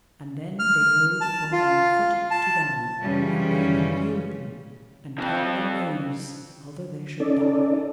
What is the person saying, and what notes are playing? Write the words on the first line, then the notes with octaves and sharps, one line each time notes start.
And then they yode both on foot to them, and bade them yield them, and tell their names outher they should die.
F6
A5
F4
A5
F#2 C#3 E3 G3 C#4 F4
F2 C4
C#4 D#4 A4 D5